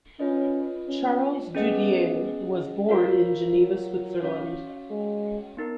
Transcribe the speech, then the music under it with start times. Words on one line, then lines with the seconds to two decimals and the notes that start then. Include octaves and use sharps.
Charles Doudiet was born in Geneva, Switzerland.
0.19 C#4 F4 B4 D#5
0.87 C#4
1.54 B3 C#4 G#4 D#5 F#5
2.89 F4 A#4 C#5 F5
3.55 F#3
4.22 C#4 F#4 C#5 F5
4.90 G#3
5.57 B3 D#4 A#4